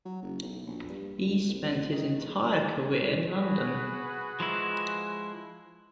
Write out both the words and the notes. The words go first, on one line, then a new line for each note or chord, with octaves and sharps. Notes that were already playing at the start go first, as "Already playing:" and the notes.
He spent his entire career in London.
F#3
F#1
B1
A#1
G2
D2
C2
F1
D#3
F#1
F#4 G#4 B4
F3 G#3 E4